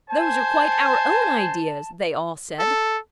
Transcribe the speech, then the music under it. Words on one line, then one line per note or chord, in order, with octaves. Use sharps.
"Those are quite our own ideas," they all said.
C5 G#5 A5
A4